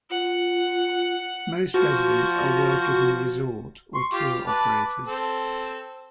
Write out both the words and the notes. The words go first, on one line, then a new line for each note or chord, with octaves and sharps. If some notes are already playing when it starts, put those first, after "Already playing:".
Most residents are workers in the resort or tour operators.
F4 F#5
F3 F#4
C6 C#6
F4 G4
B4 A5 D6
C4 A4